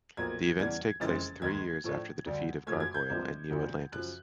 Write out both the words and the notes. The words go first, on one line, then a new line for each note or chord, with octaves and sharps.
The events take place three years after the defeat of Gargoyle and Neo-Atlantis.
B1 A#2 F3 A#3 G#6
E2 C#3 E3 G3 G#6
F#1 F2 C#3 E3 G#3 A6
D#2 D#3 G#3 G#6
A2 F3 A3 D4
D2 D3 G3
F#2 C#3 F3 A3 G#6
G#6
G6
C2 C3 F3 G#3
D2 D3 F3
F#2 C#3 F3 F#6